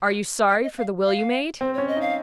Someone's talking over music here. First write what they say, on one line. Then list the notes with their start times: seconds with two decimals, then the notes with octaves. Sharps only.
"Are you sorry for the will you made?"
0.50 G5
0.63 D#5
0.78 F5
1.05 F5
1.61 C4 C5
1.74 C#4 C#5
1.88 D#5
1.96 D#4 F5